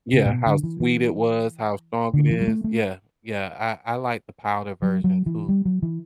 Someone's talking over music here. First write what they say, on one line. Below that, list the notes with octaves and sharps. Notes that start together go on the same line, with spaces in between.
Yeah, how sweet it was, how strong it is, yeah, yeah. I I like the powder version too.
C#3
A2
B2
D3
E3
E3
D3
E3
G3
A3
A3
F#3
F#3
E3
G3
F#3
E3